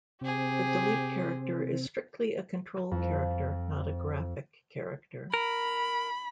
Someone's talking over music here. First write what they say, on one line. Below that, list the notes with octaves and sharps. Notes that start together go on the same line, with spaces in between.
The delete character is strictly a control character, not a graphic character.
C3 C4 G4 G#4
F2
A#4 B5